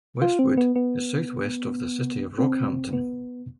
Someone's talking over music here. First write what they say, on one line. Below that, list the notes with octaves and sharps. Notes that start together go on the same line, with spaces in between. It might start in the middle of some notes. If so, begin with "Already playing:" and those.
Westwood is south west of the city of Rockhampton.
F4
C4
B3
B3
C4
B3